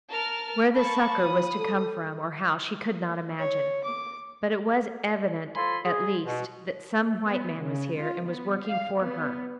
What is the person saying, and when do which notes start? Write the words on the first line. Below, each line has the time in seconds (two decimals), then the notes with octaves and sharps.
Where the succour was to come from, or how, she could not imagine; but it was evident, at least, that some white man was here, and was working for her.
0.10 A#4 A5 F6
0.74 A#3 A5 B5 C#6
1.21 F3 D#6
1.59 A4
3.39 C#5
3.84 D6
5.55 F3 A4 G#5 B5 C6
5.84 G#4
6.25 B2
7.25 B3
7.61 C#3
7.97 F4
8.26 B3
8.66 F5
8.99 B3